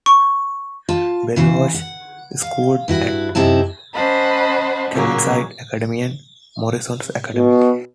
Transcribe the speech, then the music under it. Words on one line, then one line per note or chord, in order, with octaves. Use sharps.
Bell was schooled at Kelvinside Academy and Morrison's Academy.
C#6
F4 A5
C#3 E3 C5
F#5
F5
G2 E4 F#4
F#2 C3 D#4 E4 A5
C#4 C5 D#5 F#5 A5 B5
A#2 C#3 F#3 A#3
B2